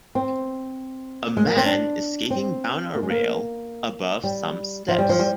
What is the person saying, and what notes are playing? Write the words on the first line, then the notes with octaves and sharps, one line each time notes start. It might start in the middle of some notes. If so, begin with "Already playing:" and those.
A man is skating down a rail above some steps.
C4
G#3
A#3
C4
D4
C4
A#3
G#3
A#3
G3
F3
G3
F3
G3